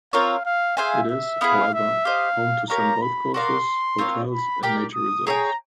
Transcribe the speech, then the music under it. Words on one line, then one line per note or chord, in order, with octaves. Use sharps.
It is, however, home to some golf courses, hotels, and nature reserves.
C4 F4 A#4 C#5 F5
F5
G#4 C5 E5 F5 G#5
E5
B3 E4 G#4 F5
E5
G4 C5 D#5 F5
G4 A#4 C#5 F5 A#5
B5
F#4 A#4 D5 F5 C6
C4 F4 A#4 C#5
B5
G4 A#4 D5 G5
D#6
G#4 C#5 E5 G5 A#5